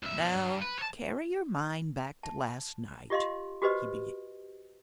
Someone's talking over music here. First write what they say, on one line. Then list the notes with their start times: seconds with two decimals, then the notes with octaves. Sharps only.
"Now carry your mind back to last night," he began.
0.03 C#2 E5
0.20 B2 D4
0.35 G2
0.62 B4
0.79 C#5 A5
2.23 A5
3.10 F4 G4 D#5 F5 C6
3.62 F#4 G4 B4 C5 D#5